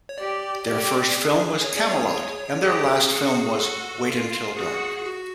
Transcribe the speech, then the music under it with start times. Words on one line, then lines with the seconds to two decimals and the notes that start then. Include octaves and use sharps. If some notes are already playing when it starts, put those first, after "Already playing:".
Their first film was "Camelot" and their last film was "Wait Until Dark".
0.09 C#5
0.18 G4 D5
0.66 G4 D5
1.16 G#4
1.64 C#5
1.77 D5
1.91 C#5
2.61 G4 G#4
3.11 F#4
3.59 F#4 A4
4.08 F4
4.57 F#4 G#4
5.06 F#4